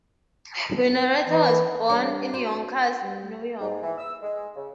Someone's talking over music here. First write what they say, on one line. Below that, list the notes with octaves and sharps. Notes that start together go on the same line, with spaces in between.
Winnaretta was born in Yonkers, New York.
E3
G3 D4 C#5
F#4 C5
G3
G#2
E3
E6
G#3
C#3